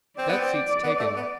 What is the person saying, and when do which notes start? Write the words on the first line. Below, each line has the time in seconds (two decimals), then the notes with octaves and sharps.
That seat's taken.
0.19 C4 D5
0.29 B3
0.39 C4
0.83 B3
1.00 A3
1.16 B3